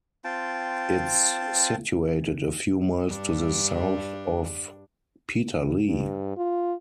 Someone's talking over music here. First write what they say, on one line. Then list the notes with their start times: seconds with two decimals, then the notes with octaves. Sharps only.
It's situated a few miles to the south of Peterlee.
0.24 C4 F4 G5 A5
3.08 G2 D4
5.87 G2
6.37 F4